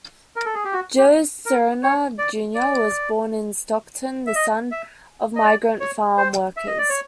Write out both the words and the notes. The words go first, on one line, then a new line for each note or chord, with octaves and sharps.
Joe Serna, Junior was born in Stockton, the son of migrant farm workers.
A#4
A4
G#4
G4
F#4
G4
A#4
C#5
D5
D5
E5
D#5
E5
D#5
D5
C#5
C5
E5
D#5
D5
C#5